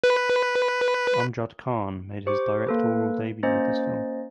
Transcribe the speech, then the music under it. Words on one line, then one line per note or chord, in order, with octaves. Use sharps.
Amjad Khan made his directorial debut with this film.
B4
G4 C5 C#6 D6
A#3 A4 B4
A#3 C#4 C5 D#5 A#5 A6